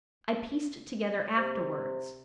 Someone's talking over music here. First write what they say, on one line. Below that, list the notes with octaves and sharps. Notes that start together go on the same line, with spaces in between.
I pieced it together afterwards.
C3